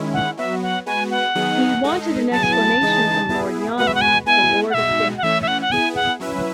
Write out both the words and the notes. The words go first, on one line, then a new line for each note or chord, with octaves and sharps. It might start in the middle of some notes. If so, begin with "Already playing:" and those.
He wanted an explanation from Lord Yama, the lord of death.
Already playing: D#3 G#3 C#4 E4
F#5
F#3 B3 F#4 E5
F#5
G#3 B3 F#4 B4 G#5
F#5
D#3 F#3 B3 D#4 G#4
G#3 D#4 A4 D#5
F#3 B3 E4 G#4 A5
G#5
A5
C#3 E3 G#3 D#4 G#4
B3 E4 G#4
G#3 B3 F#4 B4 F#5
E5
F#5
G#5
G#3 B3 E4 G#5
F#5
B2 G#3 D#4 F#4 E5
F#5
E3 A3 C#4 E5
E5
F#5
F#5
B3 E4 G#4 G#5
F#5
F#3 C#4 E4 B4 E5